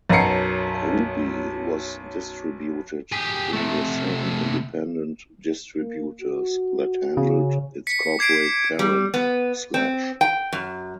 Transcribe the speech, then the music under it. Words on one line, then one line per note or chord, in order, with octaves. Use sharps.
Ruby was distributed through the same independent distributors that handled its corporate parent, Slash.
B1 F#2 B3 A#5 C7 C#7
G4 G#4
C3 A3
A#3
F#4
C#3
B6 C#7
D6 G#6 C7 D7
G3
B3
C4
G5
F#2